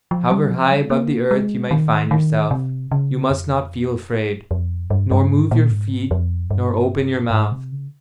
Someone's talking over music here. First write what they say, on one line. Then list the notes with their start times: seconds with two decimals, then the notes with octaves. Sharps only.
However high above the earth you may find yourself, you must not feel afraid, nor move your feet nor open your mouth.
0.11 F3
0.31 G3
0.51 F3
0.71 G3
0.84 G#3
0.90 A#3
1.31 G#3
1.71 D#3
2.11 D#3
2.51 C3
2.91 C#3
3.30 F2
4.51 F2
4.90 G2
5.11 G2
5.31 G#2
5.51 A#2
5.71 G#2
6.11 F2
6.51 G2
7.31 G#2
7.52 C3
7.72 C#3